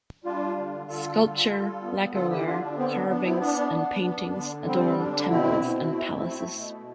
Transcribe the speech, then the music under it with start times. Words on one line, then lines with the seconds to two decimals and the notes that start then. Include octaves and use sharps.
Sculpture, lacquerware, carvings, and paintings adorn temples and palaces.
0.24 G3 D4 F4
0.57 D3
0.88 D3 F4 A4
1.19 G3
1.51 G3
1.82 B3
2.13 D3 F4 A4
2.30 E4 G4
2.46 D3 D4 F4
2.61 D4
2.77 B3 C4
2.93 D4
3.09 B3 D4
3.24 C4 E4
3.40 B3 D4
3.72 B3
4.03 B3
4.34 D3
4.67 G3 C4
4.98 D3 D4
5.29 B2 C4 E4
5.62 B2
5.92 A3
6.24 A3
6.56 B2